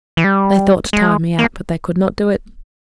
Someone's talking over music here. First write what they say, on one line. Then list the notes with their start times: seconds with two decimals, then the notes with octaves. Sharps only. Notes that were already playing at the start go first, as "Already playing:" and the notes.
They thought to tire me out, but they could not do it.
0.17 E3
0.24 G3
0.93 G#3
1.39 A#3